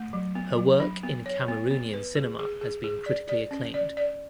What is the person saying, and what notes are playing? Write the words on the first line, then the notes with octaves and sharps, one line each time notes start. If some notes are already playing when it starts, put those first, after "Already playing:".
Her work in Cameroonian cinema has been critically acclaimed.
Already playing: A3
F#3
B3
F#3
D4
B3
C#5
B3
B3
B4
G#4
G#4
G#4
G#4
D5
D5
C#4
D5
D5